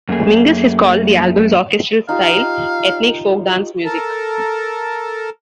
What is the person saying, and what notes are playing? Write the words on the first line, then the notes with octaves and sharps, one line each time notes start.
Mingus has called the album's orchestral style "ethnic folk-dance music".
F#2 A3 A#3 G#4
D#4 F4 G4 F5
A4 A#4